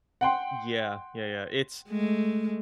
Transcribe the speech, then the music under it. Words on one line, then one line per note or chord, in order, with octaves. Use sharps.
Yeah. Yeah, yeah. It's
F#5 G5 C6
G#3 A3